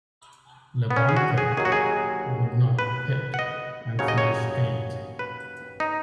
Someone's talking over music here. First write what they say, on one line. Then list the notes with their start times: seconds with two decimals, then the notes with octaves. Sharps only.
Labonte would not pit and finish eighth.
0.91 B3
0.96 C#4
1.09 G#4
1.17 F#4
1.38 G#4
1.57 D#2 D#3 F#3 G#4
1.65 F#4
1.72 G#4
2.79 B4
3.34 F#5
3.39 D#5
3.99 D#2 C#3 F#3 C#5
4.08 D#5
4.18 C#5
5.19 B4
5.80 D#4